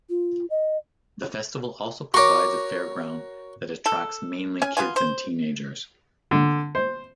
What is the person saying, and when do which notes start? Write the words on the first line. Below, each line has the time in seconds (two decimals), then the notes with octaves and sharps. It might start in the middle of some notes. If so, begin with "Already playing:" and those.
The festival also provides a fairground that attracts mainly kids and teenagers.
0.10 F4
0.50 D#5
2.14 F#4 A#4 C#5 C#6 D6
3.86 A4
4.62 C#4 G#5
4.77 B3 D4 F4 G#5
4.96 C5
6.31 D3
6.75 C5